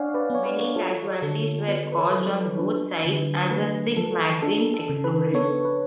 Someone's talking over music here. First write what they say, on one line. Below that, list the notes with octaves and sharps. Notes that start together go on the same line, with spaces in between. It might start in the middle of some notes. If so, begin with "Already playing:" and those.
Many casualties were caused on both sides as a Sikh magazine exploded.
Already playing: D4 C#5 D5 F5 F#5 G#5
B4 D5
B3 C#5
B4
F4 A4 C#5
D3 A4
B3 B4
B4
A4 C#5
F#3
A4
D4 B4
D3
A3 B4
F3 A4
D4 A4
A4
C#3
B4
B3 A4 C#5
B4